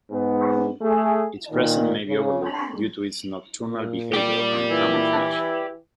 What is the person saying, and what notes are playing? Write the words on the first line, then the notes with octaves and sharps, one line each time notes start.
Its presence may be overlooked due to its nocturnal behaviour and camouflage.
G#2 B3
A3 G#4
A#2 D#3
C#3
A#2
G4 D5
E3 E4